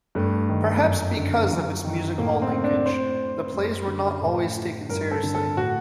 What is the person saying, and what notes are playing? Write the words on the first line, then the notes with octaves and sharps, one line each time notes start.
Perhaps because of its music hall linkage, the plays were not always taken seriously.
G2 A3
D#3
F#2
D3
F#2
D#3
A2 A#3
C4
D4
A2 C5
F#2
D3
A2
G2 A#4
A4
D3
A4
A2 F#4